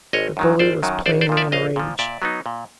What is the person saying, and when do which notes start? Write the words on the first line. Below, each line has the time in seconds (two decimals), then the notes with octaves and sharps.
The bully was plainly in a rage.
0.13 G#1 C#5 D#5
0.37 F#2 D#3 F#3
0.59 G#1 C5 D5
0.83 F#2 D#3 F#3
1.06 A#1 C5 D5
1.21 C5 D5
1.29 A#2 F3
1.37 D5 E5
1.52 A#1 D#5 F5
1.76 A#2 F3
1.99 A#2 D5 E5
2.22 F#3 B3 D#4
2.46 A#2